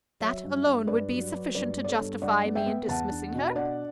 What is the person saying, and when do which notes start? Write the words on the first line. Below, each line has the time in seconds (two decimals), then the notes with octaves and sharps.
That alone would be sufficient to justify me in dismissing her.
0.20 F#3 C#5 E5
0.44 G2
0.66 G2
0.87 G2 B4 D5
1.10 F#3
1.32 F#3
1.55 G2 B4 D5
1.77 B3
1.84 D5
1.88 A4 C#5
2.00 G2
2.22 G2 D5 F#5
2.45 B3
2.55 E5 G5
2.66 B3
2.88 E2 F#5 A5
3.11 D4
3.34 B2
3.56 D4 D5 F#5